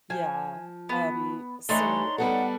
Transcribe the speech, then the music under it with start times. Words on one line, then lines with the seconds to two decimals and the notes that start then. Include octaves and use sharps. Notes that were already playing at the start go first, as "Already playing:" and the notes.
Yeah. Um, so,
0.10 F3 G#5
0.89 B3
1.69 E3 A3 D4 D#4 C#5 C6
2.18 G3 B3 A4 F#5